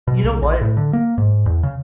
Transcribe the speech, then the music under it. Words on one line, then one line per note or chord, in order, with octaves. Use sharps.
"You know what?
B2
C2
A#1
A2
D3
A#3
G#2
E2
C#3